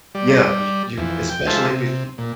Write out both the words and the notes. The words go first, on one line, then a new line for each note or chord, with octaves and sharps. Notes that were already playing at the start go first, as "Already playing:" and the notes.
Yeah, c you you especially if it's y
G3 D5
F2 E3
G5
G#3 F4 A4 C5 E5 A5
C3
A#2